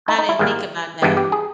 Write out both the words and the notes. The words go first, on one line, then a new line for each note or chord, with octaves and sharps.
I didn't think about that.
D#4
D#4
E4
G#2 D#3 G3 A#3
G2 E3 G#3 B3 G4
G4
G#4